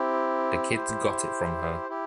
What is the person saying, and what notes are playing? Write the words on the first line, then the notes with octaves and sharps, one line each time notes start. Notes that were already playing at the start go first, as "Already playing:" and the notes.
The kids got it from her.
Already playing: C4 E4 G4
E4 G4 C5
E4 G4